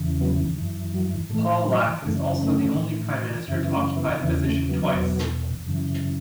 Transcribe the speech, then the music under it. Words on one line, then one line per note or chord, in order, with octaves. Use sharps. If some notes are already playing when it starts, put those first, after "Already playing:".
Pawlak is also the only prime minister to occupy the position twice.
Already playing: E2 C#3 E3
F#3 B3
F#2 E3
F#3
A2 E3 A3
F#3
F#2 C#3 E3 A3
A3 C#4
A2 E3
F#2 C#3 E3 E4
B3 E4
A3 C#4
B3 E4
E2 C#3 E3 B3 E4
A3 C#4
F#3 B3
E2 B2
F#2 C#3 E3